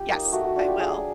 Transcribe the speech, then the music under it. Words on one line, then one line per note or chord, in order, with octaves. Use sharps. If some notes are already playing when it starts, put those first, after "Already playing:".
Yes, I will.
Already playing: F4 G4
A#3 D#4
A3 F#4
F#4
D4 F4 F#4
G4
F#3 G#4